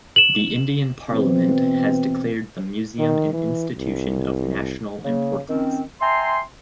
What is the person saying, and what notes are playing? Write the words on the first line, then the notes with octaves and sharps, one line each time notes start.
The Indian Parliament has declared the museum an Institution of National Importance.
E7 F#7
B2 E3 C4
D#3
E3
C2
C#3 A#3
D#3 C4 C#4
E5 G5 G#5 A#5 C6